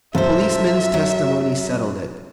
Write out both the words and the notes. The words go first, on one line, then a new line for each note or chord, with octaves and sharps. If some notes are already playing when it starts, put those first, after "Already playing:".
The policeman's testimony settled it.
B1 F#2 A4 C5 E5
F#3